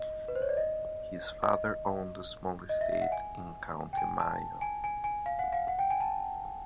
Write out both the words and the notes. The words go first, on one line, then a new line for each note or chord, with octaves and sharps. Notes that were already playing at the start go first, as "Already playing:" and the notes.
His father owned a small estate in County Mayo.
Already playing: D#5
B4
C5
C#5
D5
D#5
D#5
D#5
E5
E5
F#5
G#5
G5
G#5
A5
G#5
G#5
G#5
F5
F#5
F5
F#5
G5
G#5
A5